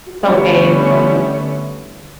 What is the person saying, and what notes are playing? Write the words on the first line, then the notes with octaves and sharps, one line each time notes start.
it's okay as long as
D3 G3 A3 B3 C#4 E4